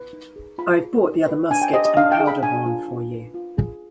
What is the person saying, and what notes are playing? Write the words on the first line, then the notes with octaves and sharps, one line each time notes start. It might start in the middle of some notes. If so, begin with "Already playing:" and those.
I've brought the other musket and powder-horn for you.
Already playing: B4
D#4
G#4
F4 B5
G#4
D#4
B4
D4 G#5
G5
G4 D#5
D#5
D4 F5
G5
G#4
B5
D4 G#5
F4
D#4
B4
F4
G#4